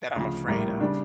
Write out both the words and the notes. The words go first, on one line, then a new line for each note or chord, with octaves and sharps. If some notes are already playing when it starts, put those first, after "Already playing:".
that I'm afraid of.
D2 C#3 F3
A#1 A2 G3 A#3
C#3 G3 D4